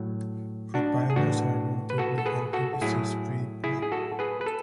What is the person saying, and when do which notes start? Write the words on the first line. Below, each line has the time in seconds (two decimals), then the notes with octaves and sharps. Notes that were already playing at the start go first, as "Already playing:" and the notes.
Rottweilers are a relatively healthy, disease-free breed.
Already playing: A2 F#3
0.74 D4 F#4
1.10 G#4
1.16 A2 E3 D4 F#4
1.90 B4
1.98 F#4 A4
2.18 A4
2.26 G#4 B4
2.53 F#4 A4
2.81 A2 F#3 E4 G#4
3.64 E4 G#4
3.82 G#4
3.92 F#4 A4
4.19 G#4 B4
4.41 B4
4.46 A4